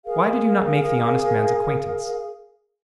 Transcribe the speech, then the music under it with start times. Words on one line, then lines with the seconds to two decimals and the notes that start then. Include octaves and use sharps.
Why did you not make the honest man's acquaintance?
0.05 G#4 A#4 F5